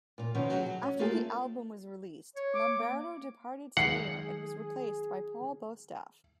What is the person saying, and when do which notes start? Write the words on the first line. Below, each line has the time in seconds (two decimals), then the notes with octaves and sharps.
After the album was released, Lombardo departed Slayer and was replaced by Paul Bostaph.
0.18 A#2 F4
0.35 B2 D#3 F3 C#4
0.50 F#3 C#4 F#4 G#4
0.66 F#3
0.83 C#4
0.99 A3 A#3 F4 G#4 A4 F5
2.36 C#5
2.53 D6
2.78 A#3
3.77 D#3 F#3 G#3 G#4 F#5 C7